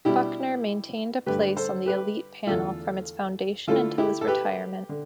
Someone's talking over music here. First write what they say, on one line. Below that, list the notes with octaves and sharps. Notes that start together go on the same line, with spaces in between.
Bucknor maintained a place on the Elite Panel from its foundation until his retirement.
B2 G3 D4 E4 G4
G2 D3 A3 G4 B4
A4 C5
G4 B4
E2 D3 A3 F4 A4
D3 A3 E4 F4 A4
E4 G4
A4
G4 B4
D3